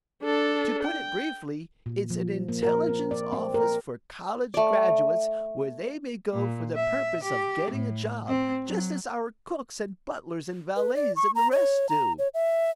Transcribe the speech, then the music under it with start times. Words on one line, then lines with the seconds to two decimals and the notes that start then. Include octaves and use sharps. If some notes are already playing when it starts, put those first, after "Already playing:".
To put it briefly, it's an Intelligence Office for College graduates where they may go for the purpose of getting a job, just as our cooks, and butlers and valets and the rest do.
0.23 D4 A4
0.84 G5
1.86 A#2
2.10 F3
2.48 A#3
2.63 A#4
2.89 C4
3.11 D5
3.32 C4
3.54 A#4
4.54 A3 D5
6.33 A#2
6.76 E5
7.23 G4
7.70 A2
8.28 C4
8.66 F#3
10.76 B4
10.95 D5
11.16 C#6
11.35 A#5
11.52 C#5
11.89 A#5
12.19 C#5
12.34 E5